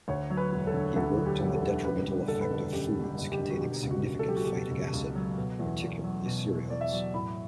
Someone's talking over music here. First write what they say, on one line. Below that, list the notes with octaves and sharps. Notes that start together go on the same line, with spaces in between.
He worked on the detrimental effect of foods containing significant phytic acid, particularly cereals.
D2 C#5
F#3
B4
E1
A4
D3
D2 A4
F#3
G4
E1
A4
D3
F#2 B4
G3
F#1 A4
B4
D3 A4
F#2 G4
G3
G4
F#1
G4
D3
F#4
B2 G4
C#2
F#4
C#2
A4
F#3 G4
F#4
B2 G4
C#2
C#2
F#3
B2
E2
E2
F#3
B2
E2
E2 D5
E5
F#3 D5
A2 B5